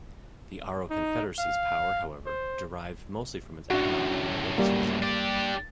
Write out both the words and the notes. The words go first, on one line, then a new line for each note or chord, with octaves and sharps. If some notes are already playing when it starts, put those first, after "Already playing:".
The Aro Confederacy's power, however, derived mostly from its economic and religious position.
D#4
F5
C5
F#2 A2 D4 F#4
G3 A#3
D4 G4